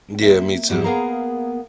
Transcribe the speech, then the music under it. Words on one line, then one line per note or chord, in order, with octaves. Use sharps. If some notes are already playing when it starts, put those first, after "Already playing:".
Yeah, me too.
A#3 E5
F2 G#2 F3 G3 E4 F#4
A#3 B3 G#4 A#4 F5 A#5